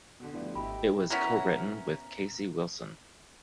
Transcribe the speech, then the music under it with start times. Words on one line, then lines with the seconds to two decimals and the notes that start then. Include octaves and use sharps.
It was co-written with Kasey Wilson.
0.20 B2 D3
0.34 G2 F3 A3 E4
0.55 G#1 E4 G4 D#5 B5
1.10 B3 C#4 E4 A#4